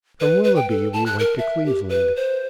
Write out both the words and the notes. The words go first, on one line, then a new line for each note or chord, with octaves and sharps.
From Willoughby we went to Cleveland.
B4
B4
G5
A4
A5
F#6
A#4
E5
G4
B4
C5